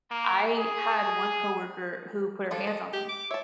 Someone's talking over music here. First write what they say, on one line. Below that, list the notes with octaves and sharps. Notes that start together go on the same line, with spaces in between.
I had one coworker who put her hands on me.
A#3
G#4
F3 D4 F4 A4
D#5
G4
D6
C#5 E5 A5